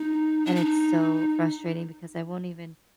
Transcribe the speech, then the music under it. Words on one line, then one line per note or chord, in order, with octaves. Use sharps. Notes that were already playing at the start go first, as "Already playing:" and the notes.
and it's so frustrating because I won't even
Already playing: D#4
D4
D#4